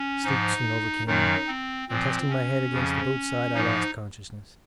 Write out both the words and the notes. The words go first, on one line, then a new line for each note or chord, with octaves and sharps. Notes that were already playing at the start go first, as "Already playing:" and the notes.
Sleep soon overcame me, and testing my head against the boat's side, I lost consciousness.
Already playing: C#4
G#2 F3 D#4
F#2 D#3 F#3 D#4
C4
A#2 F3 C4
C#4
F2 C#3 F3
G#2 F3 D#4